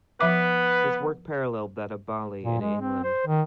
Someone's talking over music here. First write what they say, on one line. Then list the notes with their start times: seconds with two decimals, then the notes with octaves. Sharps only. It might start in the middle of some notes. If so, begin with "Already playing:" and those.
His work paralleled that of Bowley in England.
0.21 F3 B3 B4 E5 D6
2.43 A#2
2.61 G#3
2.80 C4
3.04 C5
3.27 D#3